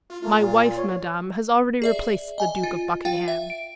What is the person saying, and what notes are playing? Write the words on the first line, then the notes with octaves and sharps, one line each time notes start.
"My wife, madame, has already replaced the Duke of Buckingham."
F4
A3 A#3 F4
A#2
C#5
G#4 D5 E5
D#5 G#5
F4
F4 F5 G5
E5
D7